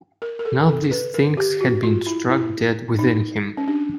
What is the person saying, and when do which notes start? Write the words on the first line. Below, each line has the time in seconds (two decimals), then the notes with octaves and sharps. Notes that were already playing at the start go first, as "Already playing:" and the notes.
Now these things had been struck dead within him.
0.22 A#4
0.39 A#4
0.45 A4
0.68 A4
0.91 B4
1.14 A#4
1.37 G4
1.61 F#4
1.83 F4
2.07 E4
2.29 E4
2.99 D#4
3.57 C#4
3.68 D4